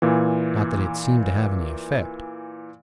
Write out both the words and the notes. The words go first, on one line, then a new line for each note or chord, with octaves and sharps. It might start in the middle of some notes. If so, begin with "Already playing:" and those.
Not that it seemed to have any effect.
A#2 E3